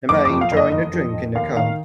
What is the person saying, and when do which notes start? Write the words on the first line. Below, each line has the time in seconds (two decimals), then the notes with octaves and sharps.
A man enjoying a drink in a cup.
0.09 F#1 D6
0.25 F2 D6
0.41 F5
0.52 F#1
0.57 D#5
0.72 F1 D#5
0.93 F2
1.15 F1
1.35 D#2 F5
1.57 D#3 F5